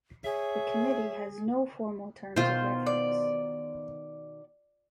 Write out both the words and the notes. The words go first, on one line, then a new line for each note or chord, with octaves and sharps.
The Committee has no formal terms of reference.
G#4 C#5 E5
B2 D#3 F4 C5
D5